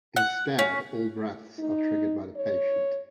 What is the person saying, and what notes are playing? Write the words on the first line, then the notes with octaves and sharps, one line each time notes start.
Instead, all breaths are triggered by the patient.
F#5
C#4
D#4
C#5